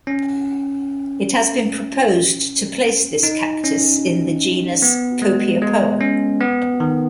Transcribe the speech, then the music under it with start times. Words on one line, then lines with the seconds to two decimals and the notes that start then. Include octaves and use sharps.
It has been proposed to place this cactus in the genus "Copiapoa".
0.07 C#4
3.23 D#4
3.64 C#4
4.82 B3
5.22 G#3
5.62 G#3
6.01 C#4
6.41 B3
6.80 D#3